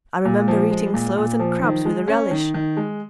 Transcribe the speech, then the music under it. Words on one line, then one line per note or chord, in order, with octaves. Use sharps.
I remember eating sloes and crabs with a relish.
A#2
F3
G#3
A#2
A#2
F3
D#3
G#3
C#4
D#3
D#3
G#3